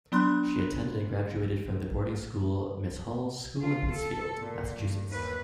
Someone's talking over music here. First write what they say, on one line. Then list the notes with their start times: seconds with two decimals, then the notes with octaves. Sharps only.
She attended and graduated from the boarding school Miss Hall's School in Pittsfield, Massachusetts.
0.12 F#3 B3 D4 B5 C6 F#6
3.62 F4
3.93 A4
4.38 A#2
4.77 G2
5.09 D#2 B4